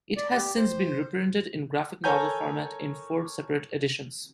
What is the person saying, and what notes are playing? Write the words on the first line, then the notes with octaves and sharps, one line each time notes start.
It has since been reprinted in graphic novel format in four separate editions.
D5
G4
C5
A4 A#4 C#5 G#5 A#5 G6